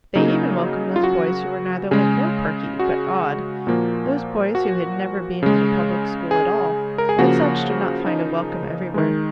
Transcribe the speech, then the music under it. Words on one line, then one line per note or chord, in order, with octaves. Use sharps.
They even welcomed those boys who were neither limp nor perky, but odd--those boys who had never been at a public school at all, and such do not find a welcome everywhere.
C#3 F#3 A#3 D#4
F4
F#4
C#3 G#3 G#4
F#4
A#2 F3 A#3
F#4
C#3 G#3
G#4
A#4
G#4
C#3 F3 A#3 F#4
D#4
D#3 G#3